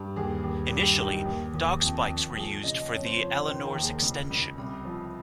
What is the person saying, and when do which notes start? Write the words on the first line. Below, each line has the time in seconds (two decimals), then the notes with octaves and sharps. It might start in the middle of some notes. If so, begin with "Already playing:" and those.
Initially dog spikes were used for the Eleanor's extension.
Already playing: G2
0.16 D#2 G#4
0.44 D#2
0.71 G2
0.98 D#3
1.26 D#2
1.54 D#2
1.81 F2
2.09 F2
2.37 F3 G#4
2.64 C#3 D#5
2.92 F2 C#5
3.05 C5
3.18 F3 C#5
3.47 D#3 C5
3.65 A#4
3.75 D#2
3.83 G#4
4.02 C#2
4.30 C#2
4.58 C2
4.85 F3